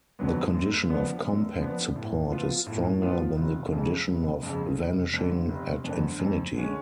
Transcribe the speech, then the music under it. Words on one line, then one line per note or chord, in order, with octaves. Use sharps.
The condition of compact support is stronger than the condition of vanishing at infinity.
F2 D3 F#3 B3
F#2
F3 B3 D4
F#2
F3 B3 D4
A2
F3 B3 F4
A2
F3 B3 F4
F1
F2 C#3
F1
F2 C#3
F1
F2 D3
F1
F2 D3
F2
D3 G#3 C#4